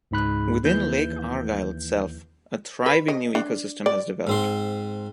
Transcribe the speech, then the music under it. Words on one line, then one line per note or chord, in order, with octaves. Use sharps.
Within Lake Argyle itself a thriving new eco-system has developed.
C#2 G#2 B5 F#6
D#2 E3 G6
B4
D#5
D4
D5
G#2 C4 C6